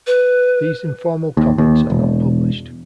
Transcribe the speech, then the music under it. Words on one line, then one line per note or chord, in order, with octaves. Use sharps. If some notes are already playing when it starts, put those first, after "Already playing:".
These informal comments are not published.
B4
D#2
D#2
E1